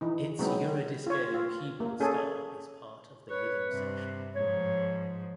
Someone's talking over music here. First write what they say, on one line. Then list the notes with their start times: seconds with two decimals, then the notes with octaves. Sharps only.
Its Eurodisco keyboard style is part of the rhythm section.
0.01 E3 D#4
0.39 F#3 G#3 B3 C4 D#4
1.07 F4 C#5
1.34 F4
1.80 A#3
2.00 C#4 G#4 A4
3.30 B4 C#5
3.70 G2 C3
4.35 G#2 F3 C#5